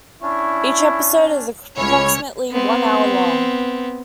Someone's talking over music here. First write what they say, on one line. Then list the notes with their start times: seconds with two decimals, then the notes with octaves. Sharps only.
Each episode is approximately one hour long.
0.22 C#4 D4 E4 C#6
1.77 C#2 A3 C#4 E4 C#5 B5
2.52 B3 C4